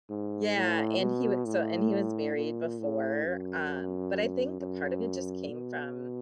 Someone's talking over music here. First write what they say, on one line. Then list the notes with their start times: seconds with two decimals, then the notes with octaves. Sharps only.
Yeah, and he would So And he was married before, um, but I think a part of it just came from,
0.10 G#2
0.55 A2
1.00 B2
1.45 A2
2.35 A#2
2.80 A2
3.25 F#2
4.61 F#2
5.50 B2